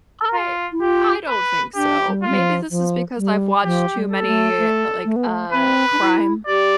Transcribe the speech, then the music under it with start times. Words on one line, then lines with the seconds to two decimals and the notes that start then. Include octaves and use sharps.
I I don't think so, maybe this is because I've watched too many, eh like, uh, crime
0.34 F4
0.72 E4
0.81 F4 G4
1.28 B4
1.75 D4 G4
2.07 G3
2.22 F4
2.29 G3
2.39 F3
2.70 F3
3.17 G3
3.64 F3 G4
3.96 G3
4.11 A4
4.21 B3
4.27 A3
4.58 A3
5.05 A3
5.16 B3
5.27 A3
5.52 C4 B4
5.92 D4
6.00 E4
6.47 G4 D5